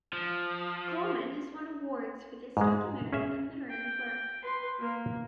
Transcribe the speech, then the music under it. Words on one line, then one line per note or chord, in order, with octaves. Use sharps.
Coleman has won awards for this documentary and literary work.
F3
G#2 G#3
C#4 G#4 E5
G5
B4 C6
A#3